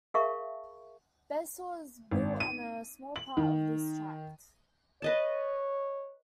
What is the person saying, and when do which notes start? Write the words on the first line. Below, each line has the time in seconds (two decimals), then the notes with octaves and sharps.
Basehor is built on a small part of this tract.
0.14 G#4 A#4 E5 F5 A5 C#6
2.11 G#1
2.40 D#7
3.16 F#7
3.37 D#3
5.02 B4 C#5 D#5 A5